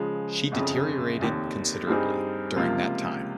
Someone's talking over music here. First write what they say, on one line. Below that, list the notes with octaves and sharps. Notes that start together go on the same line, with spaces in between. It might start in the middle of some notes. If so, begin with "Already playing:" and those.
She deteriorated considerably during that time.
Already playing: C#3 F3 G#3
G1 F2 C#3
F1 D#2 D#3
G2 G3 C4 D#4 G#4
C#2 C3 F3 A#3 F4